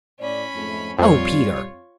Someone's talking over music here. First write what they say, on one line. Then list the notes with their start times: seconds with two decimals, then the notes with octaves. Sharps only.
"Oh, Peter!"
0.20 A2 C#4 D5 B5
0.54 F2 G#2 A3
0.98 F2 G3 F4 C#5